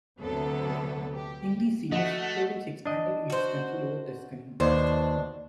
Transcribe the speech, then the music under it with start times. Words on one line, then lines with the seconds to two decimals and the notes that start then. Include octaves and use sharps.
In these years Florence expanded its control over Tuscany.
0.21 D2 C3 F#3 B3 A4
1.14 G4
1.92 F3 A3 F#4 D#5
2.86 D4 D#5
3.30 F#4 C5
4.60 D#2 B2 D4 C5